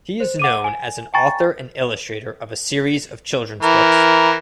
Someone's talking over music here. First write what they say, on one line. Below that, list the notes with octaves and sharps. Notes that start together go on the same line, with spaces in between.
He is known as an author and illustrator of a series of children's books.
C5
F#5 D6 D#7
G#5
G5 G#5 A#5 C#6 A6
E3 A#4